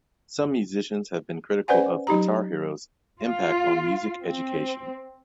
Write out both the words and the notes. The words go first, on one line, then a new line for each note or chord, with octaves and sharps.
Some musicians have been critical of "Guitar Hero"'s impact on music education.
C#4 B4 C5 D5 F#5 G#5
F#3 D#4 G4 A#5
F4
C4